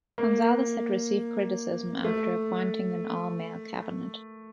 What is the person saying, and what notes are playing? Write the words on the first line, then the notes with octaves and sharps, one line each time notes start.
Gonzales had received criticism after appointing and all male Cabinet.
A#3
A3